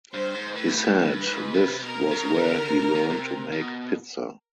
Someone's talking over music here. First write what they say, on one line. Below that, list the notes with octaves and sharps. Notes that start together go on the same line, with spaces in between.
He said this was where he learned to make pizza.
G2 C5
G#2
A2 B4
A2
G2 B4
G#2
C3
B2 A#4
C#3
C#3
D3
C3
B2
C3
C3
B2